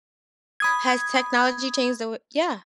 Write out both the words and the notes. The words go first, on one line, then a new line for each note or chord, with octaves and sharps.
Has technology changed the way Yeah.
B5 D#6 G#6